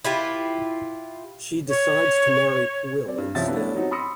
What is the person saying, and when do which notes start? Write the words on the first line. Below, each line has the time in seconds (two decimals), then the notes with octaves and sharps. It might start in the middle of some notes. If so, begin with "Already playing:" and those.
She decides to marry Pwyll instead.
0.05 E4 F4 G4 B4
1.68 C#5
3.05 C4 D5
3.18 G2
3.35 C2 F#2 F3 C#4 E5 A6
3.47 G3 A3 B3 C#4 D4 E4
3.74 F#3 C4 D#4 F#4
3.91 B5 C6 D#6 E6 A#6 C#7